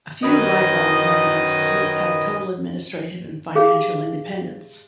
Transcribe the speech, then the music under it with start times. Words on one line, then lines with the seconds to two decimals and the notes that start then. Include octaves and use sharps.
A few lifelong learning institutes have total administrative and financial independence.
0.23 F#2 D#3 B4 D#5
3.55 G4 G#4 F5